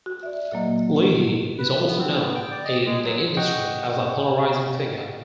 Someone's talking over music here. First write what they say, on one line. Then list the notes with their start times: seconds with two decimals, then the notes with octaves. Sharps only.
Leahy is also known in the industry as a polarizing figure.
0.06 F#4
0.23 D5 E5
0.52 A#2 F#3 A#3 D#5
1.58 B4
1.75 A2
1.88 B3
2.00 C4
2.21 B3
2.35 G5
2.51 D5
2.65 D#5
2.86 G#3
3.04 F#3
3.37 D#5 F#5 G5 C#6